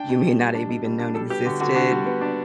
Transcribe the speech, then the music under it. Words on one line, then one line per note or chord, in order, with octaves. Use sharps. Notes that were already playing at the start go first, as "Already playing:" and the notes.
you may not have even known existed
Already playing: D4 G5
B2
G3
G3
D4
B2
G3
D4
G3 A4
B3 G4
D3 F#4
D3 F#4
D4 F#4
G3
B3
D4